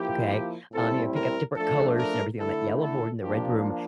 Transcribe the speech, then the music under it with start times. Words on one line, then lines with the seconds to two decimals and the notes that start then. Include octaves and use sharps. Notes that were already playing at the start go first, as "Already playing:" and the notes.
okay? Um, you know, pick up different colors and everything on that yellow board in the red room.
Already playing: F3 A#3 E4 G4
0.72 A2 G3 C4 E4 A4
1.14 A#4
1.56 F3 A3 D4 A4
1.98 A#4
2.39 D3 A3 E4 A4
2.80 A4
3.22 F3 A#3 D4 G4